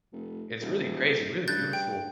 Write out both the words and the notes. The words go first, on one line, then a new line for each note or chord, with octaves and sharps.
It's really crazy, really beautiful,
F1
D#1
G2 F#6 G6 A6
G5